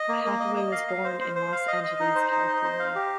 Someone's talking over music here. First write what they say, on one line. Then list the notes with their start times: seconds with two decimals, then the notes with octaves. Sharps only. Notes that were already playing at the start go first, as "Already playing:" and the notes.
Hathaway was born in Los Angeles, California.
Already playing: D#5
0.08 A#3
0.24 A#3
0.40 D#5
0.56 D#5
0.72 F5
0.87 F5
1.04 C5
1.20 C5
1.35 C5
1.52 F5
1.68 D#5
1.84 D#5
2.00 D#4
2.15 C5
2.32 D#4
2.48 D#5
2.63 C5
2.79 F5
2.95 G4